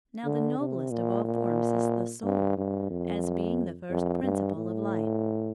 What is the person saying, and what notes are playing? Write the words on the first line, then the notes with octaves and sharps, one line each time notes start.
Now the noblest of all forms is the soul, as being the first principle of life.
D3
C3
A#2
A#2
G2
G2
F2
F2
G2
A2